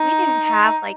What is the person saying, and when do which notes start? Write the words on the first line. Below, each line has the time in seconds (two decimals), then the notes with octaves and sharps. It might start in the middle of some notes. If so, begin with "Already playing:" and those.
we didn't have, like,
Already playing: D#4